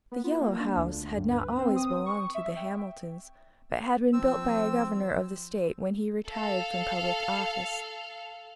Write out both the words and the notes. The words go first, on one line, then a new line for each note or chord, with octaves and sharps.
The Yellow House had not always belonged to the Hamiltons, but had been built by a governor of the state when he retired from public office.
B3
F4
A#3
D4
D2
G2
B4
C4
D#6
C#6
E5
G5
F3 C4 E6
A4 F5